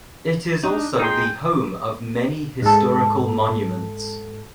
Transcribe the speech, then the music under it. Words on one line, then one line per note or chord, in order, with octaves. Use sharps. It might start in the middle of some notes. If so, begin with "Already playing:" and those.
It is also the home of many historical monuments.
D4 D#4
D#4 G#4 G5 C6
G#2 A4